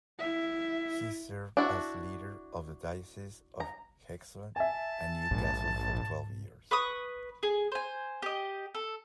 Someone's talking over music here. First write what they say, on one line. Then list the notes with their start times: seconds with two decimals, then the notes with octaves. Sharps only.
He served as leader of the Diocese of Hexham and Newcastle for twelve years.
0.19 E4 E5
1.57 D4 E4 F#4
3.60 A#5
4.56 E5 G#5 A5
5.31 A#1 G#2
6.71 B4 C#6 D#6
7.43 G#4
7.72 C5 G#5
8.22 G4 D#5
8.75 A4